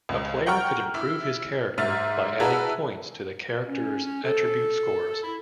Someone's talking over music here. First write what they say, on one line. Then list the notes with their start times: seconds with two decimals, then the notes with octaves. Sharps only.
A player could improve his character by adding points to the character's attribute scores.
0.09 C#2
0.46 F#5 G5 A#5 C#6 F6
0.94 E4
1.78 G#2 E5 F6 A6
2.40 E4 F#4 G#4 B4 A5 A#5
3.67 C#4
4.04 C#4
4.24 A4
5.24 E4